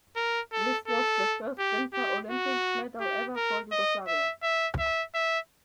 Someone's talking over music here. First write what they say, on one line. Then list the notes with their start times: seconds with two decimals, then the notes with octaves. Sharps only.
This was the first Winter Olympics medal ever for Yugoslavia.
0.16 A#4
0.53 A4
0.88 A4
1.59 G4
1.94 G4
2.30 F#4
3.00 G4
3.36 A#4
3.72 D#5
4.07 E5
4.43 E5
4.78 E5
5.14 E5